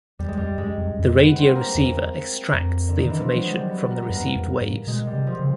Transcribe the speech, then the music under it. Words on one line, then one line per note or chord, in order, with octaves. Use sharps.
The radio receiver extracts the information from the received waves.
E2 G3
G#3
F2 G3
F#2 G#3
F2
F#2
F2
B3
C4
A#3
E2
F2 A#3
D3
D#3
E3
F3
F#3
G#3
G3
B3
A#3
B3
F#2
A#3
F2
G#2
B2 G#3
G3
C3
F3
C#3